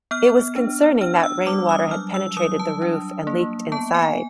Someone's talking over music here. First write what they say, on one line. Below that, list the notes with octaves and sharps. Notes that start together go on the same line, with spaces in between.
It was concerning that rainwater had penetrated the roof and leaked inside.
B3 F6
D4
D4 F6
E6
G3 D6
D#6
F#3 F6
E6
F#3 D#6
A5
D4
A#3
B3 A5
G#5